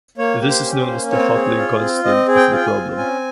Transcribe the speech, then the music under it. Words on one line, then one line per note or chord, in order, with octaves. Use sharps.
This is known as the Coupling constant of the problem.
A#3 C#5
G4
C5
C#4
C5
A#3
C4 C#5
G#4
F4
C4
C4 D#5
G#4
G5
F4 G5
G#5
C4
C#4 G#5